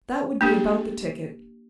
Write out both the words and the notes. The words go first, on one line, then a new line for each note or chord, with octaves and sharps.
That would be about the ticket.
A#3 D4 G4